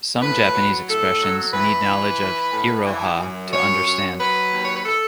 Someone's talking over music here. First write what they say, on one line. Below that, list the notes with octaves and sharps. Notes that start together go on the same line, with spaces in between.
Some Japanese expressions need knowledge of "iroha" to understand.
A2 B4
F#3
A2 A4
F#3
E3 B4
E3
E3
A2
E3
F#2
F#2 C#5
F#2
F#3 B4
D#2
C#5
B4
A4